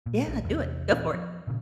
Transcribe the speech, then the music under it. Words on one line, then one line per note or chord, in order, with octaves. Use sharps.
Yeah, do it. Go for it.
A#2
A#1
E2 C3
D#1 A#2 E3 C4
F3
A#2 C#3